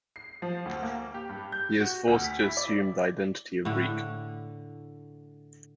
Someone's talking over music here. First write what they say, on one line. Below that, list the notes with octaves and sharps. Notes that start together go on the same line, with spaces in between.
He is forced to assume the identity of Reek.
C7
F3
D2
A#3
G4
G2
G6
F#4
D2
B6
E4
D5
A2 D3